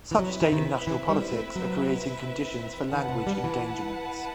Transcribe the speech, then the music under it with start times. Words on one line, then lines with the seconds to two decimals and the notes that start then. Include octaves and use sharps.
Such state and national politics are creating conditions for language endangerments.
0.11 E3
0.18 F#3 C4 E4 B4 E5
0.41 E3
0.52 D#3
0.87 E3
1.09 G3
1.33 A3
1.56 F#3
2.92 D#3 E4 B4 F#5 A5
3.09 C3
3.27 G3
3.44 E3